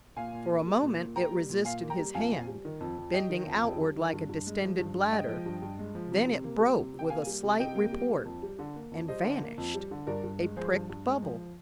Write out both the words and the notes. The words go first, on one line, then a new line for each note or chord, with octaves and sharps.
For a moment it resisted his hand, bending outward like a distended bladder, then it broke with a slight report and vanished--a pricked bubble.
A#2 F5 G#5
A#2
A#3
G3
A#2
A#2
A#3 G5 A#5
G3
A#2
A#2 F5 G#5
A#3
G5 A#5
G3
F2 F5 G#5
F2
G3
D#3
F2
F2
G3 D#5 G5
D#3
F2
F2
G3
D#3
G2
G2
G#3
F3
G2
G2
G#3 D#5 G5
F3
G2
G2
G#3
F3
C3
C3
A#3
G3
C3
C3 G5
A#3 F5 G#5
G3
C3
C3 D#5 G5
A#3
G3
A#3
F2
G3
D3
A#3
F2
G3 C5 D#5
D3
A#3
F2
G3
D3
G2 A#4 D5
G2
G#3
F3 G#4 C5
G2
G2
G#3 G#4
F3